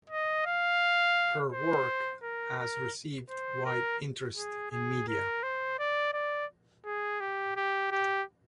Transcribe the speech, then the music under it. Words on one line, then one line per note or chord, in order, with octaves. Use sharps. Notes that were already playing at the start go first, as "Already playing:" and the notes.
Her work has received wide interest in media.
D#5
F5
C5
A#4
A#4
C5
A#4
G#4
G#4
A#4
C5
D5
D5
G#4
G4
G4
G4